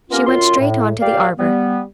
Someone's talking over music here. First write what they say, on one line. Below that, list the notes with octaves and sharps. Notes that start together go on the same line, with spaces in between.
She went straight on to the arbor.
A#3 B3 C#4 F4 G4 A#4
F#2 F4 C6
A2
A#2 G4 D5 F5
G3 B3